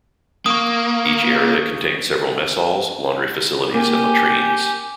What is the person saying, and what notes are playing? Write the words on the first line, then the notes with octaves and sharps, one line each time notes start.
Each area contained several mess halls, laundry facilities and latrines.
A#3 C#6 D#6
A#3 G4 G#5